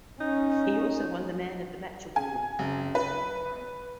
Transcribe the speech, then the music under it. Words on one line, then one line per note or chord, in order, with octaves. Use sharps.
He also won the man of the match award.
C#4 D#4
G#5
F#1
B4